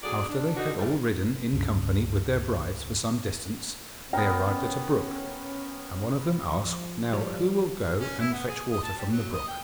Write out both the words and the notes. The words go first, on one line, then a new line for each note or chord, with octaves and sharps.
After they had all ridden, in company with their brides, for some distance, they arrived at a brook, and one of them asked, 'Now, who will go and fetch water from the brook?'
B2 F#3 D4 G#4 A4 D5
D4
D#2 D3 D4 D#4 F#4
F#2 A2 G3
C#2 G2 C#3
B3 C#4 A#4 G5
F3
G3 F4 C#5
C#4
E4
B3
G#4
D#5
A5
G3
F#3
D#5
G5